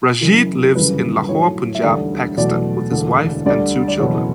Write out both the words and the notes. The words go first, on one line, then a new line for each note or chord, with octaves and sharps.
Rashid lives in Lahore, Punjab, Pakistan with his wife and two children.
F#1 F#2 E3
G1 F#2 C#3 E3 G3 B4
B1 A2 F#3 C#5
E5
E1 D2 D3 G3 D5
E2 B2 F#3 A3 D5
E1 D2 D3
D2 D3 G3 D5
D5
F#1 E2 B2 C#5